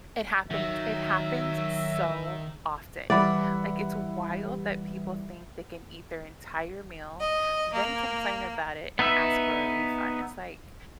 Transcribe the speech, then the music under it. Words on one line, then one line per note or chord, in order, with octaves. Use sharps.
It happened it happens so often, like, it's wild that people think they can eat their entire meal, then complain about it and ask for a refund, it's like
D#3 F#3 F#4 E5
E3 G3 D5 E5 F#5 B5
D#5
A#3
B3 D#4 B4 E5